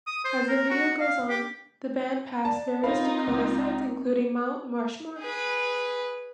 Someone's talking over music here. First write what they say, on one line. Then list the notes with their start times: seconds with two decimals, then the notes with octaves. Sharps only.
As the video goes on, the band pass various Dakota sights including Mount Rushmore.
0.07 D#6
0.24 C5
0.48 A#4
0.70 F#4
1.00 F5
1.29 G4
2.45 D5 A5
2.84 C4 D#4 F4 A#4 F5 B5
3.27 C#2
5.19 G#4 B4